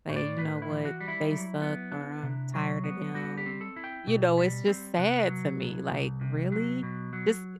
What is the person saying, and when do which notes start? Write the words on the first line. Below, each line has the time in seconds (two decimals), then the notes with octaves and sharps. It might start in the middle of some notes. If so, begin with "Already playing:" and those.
say, "You know what? They suck," or "I'm tired of them," you know, it's just sad to me. Like, really? This
0.09 A2
0.16 D5
0.38 A2 B4
0.62 E4
0.70 E3
0.85 F#4
1.01 G3
1.08 E4
1.31 F#3
1.62 B3
1.92 D4
2.23 C3
2.54 F#3
2.84 B3
3.14 G3 F#4
3.37 G4
3.46 C4
3.61 A4
3.76 E4
3.84 G5
4.07 B2
4.38 G3
4.67 C4
4.98 C3 B4
5.29 F#3
5.60 C2
5.90 C2
6.21 C3
6.52 F#3
6.83 B2
7.13 F#3